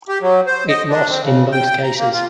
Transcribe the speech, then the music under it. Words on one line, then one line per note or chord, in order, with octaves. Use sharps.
It lost in both cases.
G4
F#3
C5
D#5
D4
C4
C#3
G5
A#5
A#3
F4